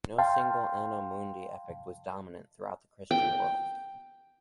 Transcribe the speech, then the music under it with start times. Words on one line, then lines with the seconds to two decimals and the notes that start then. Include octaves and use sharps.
No single "Anno Mundi" epoch was dominant throughout the Christian world.
0.18 F5 G5 A5 C6
3.11 G5